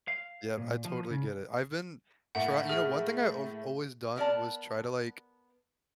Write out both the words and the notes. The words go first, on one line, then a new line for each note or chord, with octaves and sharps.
Yeah. I totally get it. I've been try you know, one thing I I've always done was try to, like,
F5
A#2
F3
C#3
A2 A3 A#3 F#5
G#4 F6
B3 A#4 D5 A5